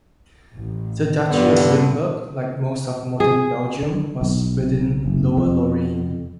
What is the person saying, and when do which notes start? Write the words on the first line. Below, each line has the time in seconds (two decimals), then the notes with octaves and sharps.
The Duchy of Limburg, like most of modern Belgium, was within Lower Lorraine.
0.56 A1
1.27 G2 A#2 D3 B3
3.20 G#4
3.83 D3
4.21 B1
5.06 F#1
5.37 F2